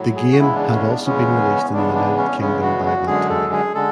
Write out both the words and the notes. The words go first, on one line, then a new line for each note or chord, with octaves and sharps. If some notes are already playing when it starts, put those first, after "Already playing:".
The game had also been released in the United Kingdom by that time.
Already playing: A2 F#3
G#4
F#4
E2 C#3 G#3 B3 E4
D4
C#4
D4
E2 C#3 G#3 B3 C#4
E2 C#3 G#3 B3 D4
D4
C#4
E2 C#3 G#3 B3 C#4
F#4
F#4
F#2 D3 G#3 G#4
A4
G#4
D3 G#3 A4